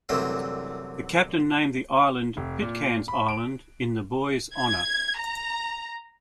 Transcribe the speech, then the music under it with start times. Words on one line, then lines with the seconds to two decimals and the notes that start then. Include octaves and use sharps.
The captain named the island Pitcairn's Island in the boy's honour.
0.09 C2 F#2 D3 E3 A3 C4
2.37 F1
2.62 A#2
3.08 B5
3.29 D7
4.56 G#6
5.19 A#5